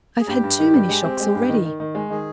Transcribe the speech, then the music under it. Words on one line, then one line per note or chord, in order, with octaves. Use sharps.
I have had too many shocks already.
G#4
G2 G4
G2
D#3
G2
G#3
C4
G#3
G2
D#3
D#3
D#3
G#3
D#3 G#4